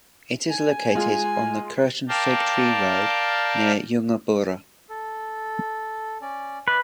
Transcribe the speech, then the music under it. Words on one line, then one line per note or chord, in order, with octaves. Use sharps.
It is located on the Curtain Fig Tree Road, near Yungaburra.
G#5
G#3 F4
A#4 D5 F5 G5 A5
A4
C#4 D5
B4 D5 E5